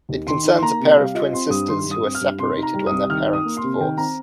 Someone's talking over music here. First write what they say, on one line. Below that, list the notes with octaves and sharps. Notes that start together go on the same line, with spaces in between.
It concerns a pair of twin sisters who are separated, when their parents divorce.
D#2
D#3 C6
D#4
C6
A#3 A#5
C3
G3 F5
F4 D#5
C4 C6
G2 D#6
D#3 C6
G2
D#6
C4
F6
G2
C3 C6
D#4
A#5
G3
D#6
C2
D#3 F6
D#4
D#6
A#3
C6
C3
D#3 G5
C4 A#5